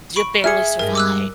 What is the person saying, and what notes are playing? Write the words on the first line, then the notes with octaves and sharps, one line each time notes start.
you barely survive,
B5 C#6 D7
G#4 E5 F6 C#7
G2 G3 G#3 A#4
D6 E6 F#6